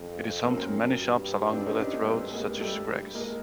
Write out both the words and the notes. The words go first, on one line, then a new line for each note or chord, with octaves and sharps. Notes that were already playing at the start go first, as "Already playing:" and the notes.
It is home to many shops along Villette Road such as Gregg's.
Already playing: F2
F#2 A#3 C4
G2
C4 D4
C#4 D#4
C4 D4
A#3 C4
G2 A3 B3
G#3 A#3
G3 A3
G#3 A#3